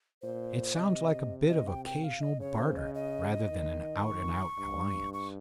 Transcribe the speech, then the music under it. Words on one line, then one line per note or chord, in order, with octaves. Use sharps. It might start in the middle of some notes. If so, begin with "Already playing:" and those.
It sounds like a bit of occasional barter, rather than an out-and-out alliance.
A#2 C5
C3 D#5
D#5
G5
G5
F5
D#5
C#3 C#5
C5
D#5
D#5
D#3
C#6
G2
C#6